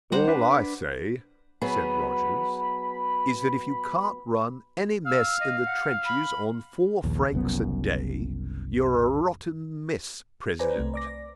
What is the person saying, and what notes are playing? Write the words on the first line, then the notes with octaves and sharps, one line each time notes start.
"All I say," said Rogers, "is that, if you can't run any mess in the trenches on four francs a day, you're a rotten mess president."
G3 C5 F#5 A#5
D4 B4
F#3 B3 G#4 B5
F5 E6
D#5
F#5
B5
A#1 D#2
F#1 C2 F#2 B3
B4 C5 D5 G#5 A#5
C2 A3 C4
D5 D6 A#6
D5